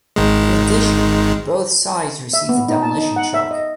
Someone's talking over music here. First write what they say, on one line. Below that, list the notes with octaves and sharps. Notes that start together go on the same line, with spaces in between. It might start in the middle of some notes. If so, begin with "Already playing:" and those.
In addition, both sides receive the "Demolition Truck".
G#1 D#3 G#3
E5
B3
D#4
A5
D#4
F#5
E5
D#5